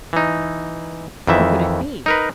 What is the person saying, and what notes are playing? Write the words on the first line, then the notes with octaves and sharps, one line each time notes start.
Who could it be!
E3 D#4
F2 D#3 E3 E5
D#4 A#4 B4